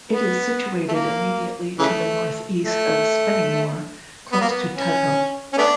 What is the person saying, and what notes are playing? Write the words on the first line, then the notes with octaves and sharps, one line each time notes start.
It is situated immediately to the north-east of Spennymoor, close to Tudhoe.
B3
A3
A#3
C#3 E3 A3
A3
B3
A#3
B3
C#4
C#4
A3 B3 D4